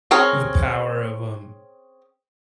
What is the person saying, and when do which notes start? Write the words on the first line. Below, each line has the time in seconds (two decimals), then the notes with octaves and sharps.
the power of, um,
0.11 C4 C#4 G#4 A#4 C#5